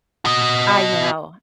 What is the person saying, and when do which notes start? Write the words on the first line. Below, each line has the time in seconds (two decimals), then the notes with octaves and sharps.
I know.
0.25 F#4 D#5